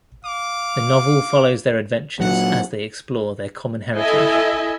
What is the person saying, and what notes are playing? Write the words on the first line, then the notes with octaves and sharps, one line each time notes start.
The novel follows their adventures as they explore their common heritage.
F5 D6
A#2 F#3 F#5
E4 A4 D#5 E5 G#5